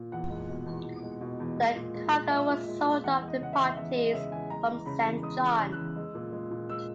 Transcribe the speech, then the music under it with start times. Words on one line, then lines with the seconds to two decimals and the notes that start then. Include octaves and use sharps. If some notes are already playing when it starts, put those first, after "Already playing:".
The cargo was sold off to parties from Saint John.
Already playing: A#2
0.12 E2 F#5
0.30 G#3
0.49 B2
0.66 E2
0.85 E2
1.03 G#3
1.21 B2
1.40 E2
1.57 G#3
1.76 A#2
1.95 G#3
2.13 A#2
2.31 G#3 E5
2.49 A#2
2.67 G#3
2.85 A#2
3.04 E2 F#5
3.22 G#3
3.28 D#5
3.40 C#3 F#5
3.53 E5
3.59 E2
3.77 E2 E5
3.95 G#3 D#5
4.13 C#3 E5
4.32 E2 G#5
4.50 G#3 A#5
4.67 E3
4.86 C#3 B5
5.05 E2
5.23 G#3 D#6
5.41 E3
5.47 E6
5.59 C#3
5.72 F#6
5.78 E2
5.96 G#3
6.15 A#2
6.32 G#3
6.51 A#2
6.69 G#3 E6